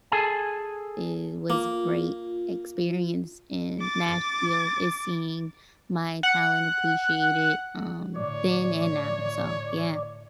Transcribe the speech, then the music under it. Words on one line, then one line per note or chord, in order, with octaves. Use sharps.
it was great experience in Nashville is seeing my talent appreciated, um, then and now, so, yeah.
G#4 A4 G#5 A5
A#3 F4
D6 A6
F#5
A2 D3 C#5 D5